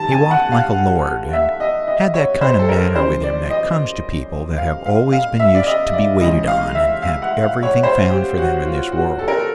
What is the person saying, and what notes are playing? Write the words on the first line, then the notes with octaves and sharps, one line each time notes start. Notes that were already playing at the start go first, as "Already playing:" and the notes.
He walked like a lord, and had that kind of manner with him that comes to people that have always been used to be waited on and have everything found for them in this world.
Already playing: G2 D#3 A5
G#5
F#5
F5
E5
D#5
D#5
C#5
C5
A4
A#4
F#2 C#3 E3 C5
D5
D#5
F5
F5
F5
E5
D5
D#5
D5
C#2 C#3 E3 D#5
F5
E5
F5
F#5
F5
C#5
C5
G4
F#4
F4
F#4
A4
A#4
A4